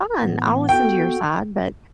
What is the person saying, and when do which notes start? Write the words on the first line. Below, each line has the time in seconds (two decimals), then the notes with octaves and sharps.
fine, I'll listen to your side, but
0.19 A2 E3 B3
0.69 B3 F#4 A4 G5